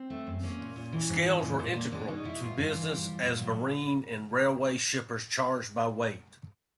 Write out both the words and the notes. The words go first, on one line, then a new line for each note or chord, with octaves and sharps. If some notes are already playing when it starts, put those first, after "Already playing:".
Scales were integral to business as marine and railway shippers charged by weight.
Already playing: C4
A3
F#2
A#3 C#4
A#2
A#2
E3
G#2
G#3
A#2
A#2
A#3
G#3 D4
B2 D#4
B2 E4
G2 F4
G2
E3
G3
G3
A#2
F#3